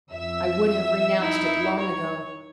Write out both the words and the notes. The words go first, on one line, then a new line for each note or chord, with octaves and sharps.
I would have renounced it long ago.
F2 E5 E6
D#4 E4
C#5